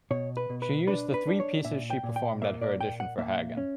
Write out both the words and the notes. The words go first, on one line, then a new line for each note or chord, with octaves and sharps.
She used the three pieces she performed at her audition for Hagen.
B2 C#5
B4
B2
B4
D4 B4
B4
D4
C#5
A#2 E5
G5
A#2
G5
A#3 E5
D5
A#2 G5
F#5
A#3 E5
C#4